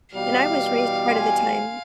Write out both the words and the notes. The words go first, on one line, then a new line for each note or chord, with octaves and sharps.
And I was raised part of the time
B2 E3 G3 F5
G#5 C6